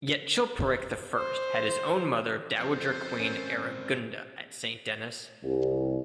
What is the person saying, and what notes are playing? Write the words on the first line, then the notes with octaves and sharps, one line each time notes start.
Yet Chilperic the First had his own mother Dowager Queen Aregunda at Saint Denis.
C5
F3 B3 C4 A4 C5
G#2 C4 C#4 A#4
C2